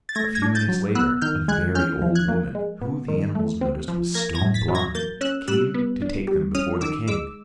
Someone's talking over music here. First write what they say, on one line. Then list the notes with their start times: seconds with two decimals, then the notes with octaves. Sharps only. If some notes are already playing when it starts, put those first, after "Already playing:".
A few minutes later, a very old woman, who, the animals noticed, was stone-blind, came to take them before the king.
0.09 A6
0.15 A3 G#6 A#6
0.35 G#6 A#6
0.42 D4
0.55 G6 A6
0.69 F#3
0.95 B3 E6 F#6
1.22 D#3 F6 G6
1.48 G#3 F#6 G#6
1.75 C#4 F6 G6
2.02 F3
2.15 F#6 G#6
2.28 A#3
2.55 G#3
2.81 B3
3.08 D#3
3.35 A3
3.61 C4
3.88 F3
4.14 A#3 G#6 A#6
4.35 G#6 A#6
4.41 A2
4.54 A6 B6
4.68 F#3
4.75 G#6 A#6
4.95 A#3 G6 A6
5.21 C#4 E6 F#6
5.48 G3 E6 F#6
5.74 B3
6.02 D4
6.27 G3
6.55 C#4 D#6 F6
6.81 D#3 D6 E6
7.08 G#3 D6 E6